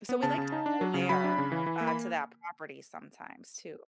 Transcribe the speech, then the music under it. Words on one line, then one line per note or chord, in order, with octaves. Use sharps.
so we like to go there, uh, to that property sometimes too.
B3
C#3 A5
C#3
D#4
D4
F#3
C#3
F#3 B5
D4
C#3
E3
E3
A#3
B5